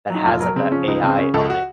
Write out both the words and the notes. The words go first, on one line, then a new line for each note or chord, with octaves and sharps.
that has, like, a AI on it
F#3 D#4
F1 F4
F#3 A#4
C#3 C4
F3 C#4
C#2 D#4
C#3 C4
C#3 C#4
C#2 A4
F#4